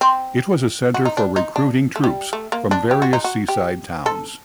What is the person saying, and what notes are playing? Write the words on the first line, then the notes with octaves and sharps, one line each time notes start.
It was a center for recruiting troops from various seaside towns.
C4
F#4
D#4
D4
D#4
D4
A3
G3
A3
A#3
D4
G4
F#4
D#4
F#4
G4
A4